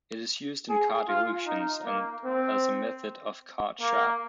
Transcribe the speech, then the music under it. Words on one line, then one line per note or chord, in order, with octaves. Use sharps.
It is used in card illusions, and as a method of card sharp.
G#4
F4
D#4
A#3
C4
A#3